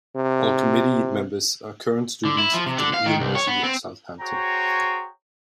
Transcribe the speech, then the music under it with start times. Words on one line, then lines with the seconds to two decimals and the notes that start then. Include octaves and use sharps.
All committee members are current students at the University of Southampton.
0.16 C3
2.25 D3
2.38 E4
2.54 F3
2.66 C3
2.78 D3
2.94 F5
3.06 D#3
3.20 C2
3.35 C#5
3.47 B3
3.64 C4
4.21 F#4 G#4 C5 C#5 G5 A#5